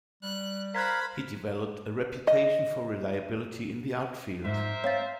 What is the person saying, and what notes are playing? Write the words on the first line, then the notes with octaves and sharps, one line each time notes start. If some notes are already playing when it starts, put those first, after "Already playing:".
He developed a reputation for reliability in the art field.
G3 F#6
A#4 C5 F5 B5 F#6 G#6 B6
D#5
G#2 A#4 C5 E5
C4 C#5 F5 A6